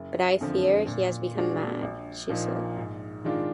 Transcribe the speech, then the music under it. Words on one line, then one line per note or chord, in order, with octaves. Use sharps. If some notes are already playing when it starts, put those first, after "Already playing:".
"But I fear he has become mad," she said.
Already playing: F#1
F2 D3 F3
A#2
G#3 D4 F#4
A#1
A#2 F3 A#3 D#4
G#2
D#3 G#3 D4 F4